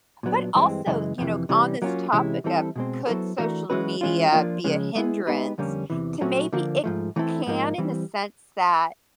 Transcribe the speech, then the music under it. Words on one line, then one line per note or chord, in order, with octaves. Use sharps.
but also, you know, c on this topic of "Could social media be a hindrance?" To maybe it can in the sense that
A#2 F#3 B3 D4
G2 E3 G#3 C4
F#2 C#3 E3 G#3
F2 C3 E3
C3 E3 G3
F#3 A#3 C#4 F4
C3 E3 G#3 C#4 E4
E3 G3 C4 E4 A4
B2 G#3 C4
F#3 B3 E4 A4 C5
E3 A3 D4 F#4 A#4
E3 G#3 C#4 F#4 B4
E3 G#3 C#4 F4
F3 A#3 D4 F4
C#3 F3 G#3 C#4
G#3 B3 E4 G#4
G#3 B3 D#4 G4 B4
F2 D3 G3 A#3 C#4
E2 C3 E3
A#2 F#3 A3 C#4 F#4
D3 F3 A#3
G#2 F3 A3
E3 A3 C4 E4 A4
G#2 F3 A#3 D#4
E3 G3 C4